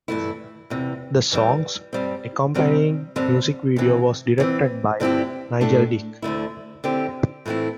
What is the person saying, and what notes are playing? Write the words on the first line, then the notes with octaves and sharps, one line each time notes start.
The song's accompanying music video was directed by Nigel Dick.
G2 E3 A3 E4
E2 C3 E3
E2 E3 G3
G2 G3 C4
E2 C3 G3 C4
G2 D3 G3 C4
D2 C3 E3
E2 E3 C4
G2 D3 C4 E4 G4
A2 A3 D4
D2 D3 A3 E4
D3 C4 E4 G4
A2 E3 A3 C4 E4